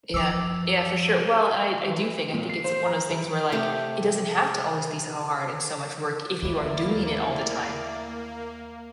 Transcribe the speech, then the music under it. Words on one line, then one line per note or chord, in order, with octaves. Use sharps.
Yeah. Yeah, for sure, well, and I I do think, I think it's one of those things where, like, it doesn't have to always be so hard and so much work if you are doing it all the time,
F#2 F3 D6 E6
E3
A#2
C7
C5
A#5
E3
C3 A3 G4
D#2 A3 A#3 E4 D5